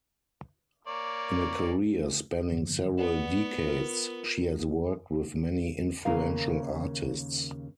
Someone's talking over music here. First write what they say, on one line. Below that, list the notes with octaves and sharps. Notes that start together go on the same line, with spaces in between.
In a career spanning several decades, she has worked with many influential artists.
A#3 C#5 D5
G2 D3 F3
B3 D5 F#5
F4 A#4
D#2 C#3 A#4 F5